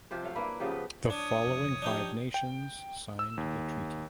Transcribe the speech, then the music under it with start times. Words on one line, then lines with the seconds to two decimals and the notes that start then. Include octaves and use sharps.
The following five nations signed the treaty.
0.11 C3 F3 G4 C5
0.23 F#3 A3 F5
0.35 A#3 D4 E4 B4
0.60 C#3 F3 B3 G4
0.71 B4
1.10 D4 C#5 D#6
1.47 F1
1.82 F3 D4 D#4 G4
2.34 G5
3.19 E6
3.37 D#2